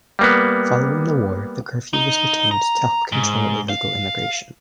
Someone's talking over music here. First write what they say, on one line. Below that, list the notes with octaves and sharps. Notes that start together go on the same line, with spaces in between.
Following the war, the curfew was retained to help control illegal immigration.
G3 A#3 B3
D#4
A#5
G#2
F5